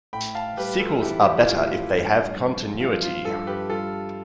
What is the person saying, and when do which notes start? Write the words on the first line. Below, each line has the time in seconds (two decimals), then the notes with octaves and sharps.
Sequels are better if they have continuity.
0.13 A2 G5 B5
0.35 F5 A5
0.57 G3 G4 B4
0.80 F4 A4
1.02 E3 E4 G4
1.24 E4 G4
1.40 E4
1.47 A2 F4
1.69 F4
1.91 G2
2.36 F3
2.80 F3 F4
3.03 F4
3.25 G2 F4 A4
3.47 G4 B4
3.70 G3 F4 A4